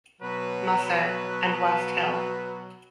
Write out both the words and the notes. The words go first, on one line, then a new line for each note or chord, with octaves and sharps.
Musser, and West Hill.
B2 F#3 B4
B4
B4